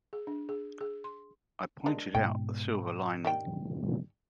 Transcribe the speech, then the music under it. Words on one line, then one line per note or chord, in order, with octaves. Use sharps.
I pointed out the silver lining.
G#4
D4
G#4
G#4
C6
G#3 A#3 D4
G#2 B2 G5
D#3 G3 G5